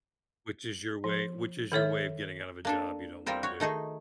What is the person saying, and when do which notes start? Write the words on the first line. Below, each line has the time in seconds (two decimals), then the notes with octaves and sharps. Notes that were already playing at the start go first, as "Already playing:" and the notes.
Which is your way which is your way of getting out of a job you don't wanna do.
1.04 F3
1.72 D#3 A4 C#5 E5
2.65 A#3 D4 A4
3.26 G3 C4 F4 A#4 C5
3.43 F#4 C#5
3.60 D#3 A3 D#4 G#4